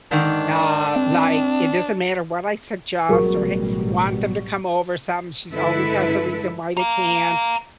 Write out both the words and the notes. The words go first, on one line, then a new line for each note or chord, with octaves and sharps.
Uh, like, it doesn't matter what I suggest or hey want them to come over some, she's always has a reason why they can't,
G#2 D3 D#3 D4
C4
A1 B2 F#3 G3 G#4 A#4 C#6
G2 D3 G#3 E4 A4 B4
F5 A#5